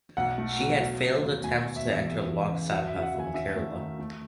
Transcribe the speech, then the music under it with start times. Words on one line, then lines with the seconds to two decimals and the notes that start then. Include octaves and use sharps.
She had failed attempts to enter Lok Sabha from Kerala.
0.17 B1 F#5
0.38 A3
0.59 B2
0.80 F#3
1.02 C#3
1.23 D#2
1.44 A3 G#5
1.65 B2
1.76 E5
1.87 E2
1.92 E5
2.08 E2
2.29 E3
2.50 C#3
2.71 F#3 F#5
2.87 E5
2.92 C#3
3.02 F#5
3.14 D#2
3.19 G#5
3.34 C#4 E5
3.56 A3
3.77 D#3
3.99 A3